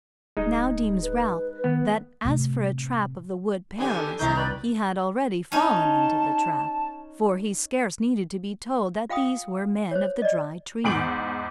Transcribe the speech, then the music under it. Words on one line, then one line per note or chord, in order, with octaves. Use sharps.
Now deems Ralph that as for a trap of the Wood Perilous, he had already fallen into the trap; for he scarce needed to be told that these were men of the Dry Tree.
D1 G#3 D#4
B4
D#3 B3
A2 C3
D3 B3 G4 G#5
A4
C2 D#3 E4 A#5 G6
B4 D5 B5
C#4 D#4 A5
F4 F5 G5 B5 D#6
C5 C#5
D5 D#5
E2 G#2 D7 F#7